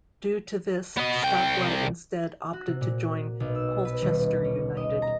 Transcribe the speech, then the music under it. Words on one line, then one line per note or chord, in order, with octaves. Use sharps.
Due to this Stockwell instead opted to join Colchester United.
B3 D#5
C2 G5
F#4
C3
A#2
B1
E6
B4
D#1
C#4
D#5
A#5